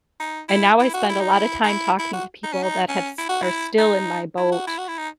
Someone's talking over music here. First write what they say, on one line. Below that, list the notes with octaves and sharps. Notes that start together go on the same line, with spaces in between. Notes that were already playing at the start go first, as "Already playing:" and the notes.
And now I spend a lotta time talking to people that have s are still in my boat
D#4
E4
E4
F#4
E4
D#4
E4
D#4
E4
E4
F#4
D#4
C#4
D#4
C#4
E4
F#4
E4
D#4
E4
F#4
E4
F#4
E4
D#4